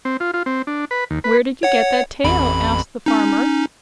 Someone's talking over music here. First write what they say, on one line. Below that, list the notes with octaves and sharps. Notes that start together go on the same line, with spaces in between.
"Where did you get that tail?" asked the farmer.
C4
F4
F4
C4
D4
B4
D#2
B4
C#5 F#5
A1 F2 B5
C#4 D#4